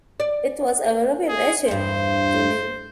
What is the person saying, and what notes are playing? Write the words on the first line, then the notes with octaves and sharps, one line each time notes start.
It was a revelation to me.
D5
G#4
E2 G2 C5